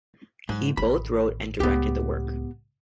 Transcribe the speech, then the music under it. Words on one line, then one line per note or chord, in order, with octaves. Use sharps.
He both wrote and directed the work.
G#2 F#3
A1 D#3 B5
C#2 A2 B3 G4